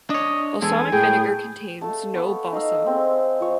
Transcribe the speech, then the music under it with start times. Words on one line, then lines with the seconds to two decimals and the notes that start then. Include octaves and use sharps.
Balsamic vinegar contains no balsam.
0.10 D4 C#5 D#5
0.62 E2 G#3 A4 G#5
0.92 A2 G#4 G5
1.81 A3 A4 F5 A5
2.14 B3 C#5 C#6
2.52 D#4 F5 E6
2.86 G#3 C4
3.40 F3 C#5